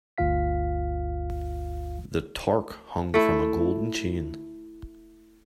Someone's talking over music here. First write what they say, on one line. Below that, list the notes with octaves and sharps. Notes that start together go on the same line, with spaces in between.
The torque hung from a golden chain.
G1 D2 G2 F4 F5 B6
A3 E4